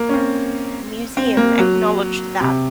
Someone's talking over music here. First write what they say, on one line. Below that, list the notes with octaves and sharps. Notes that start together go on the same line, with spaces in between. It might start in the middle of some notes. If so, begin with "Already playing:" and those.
The museum acknowledged that.
Already playing: A#3
C#4
C4
C4
A#3
F#3
C3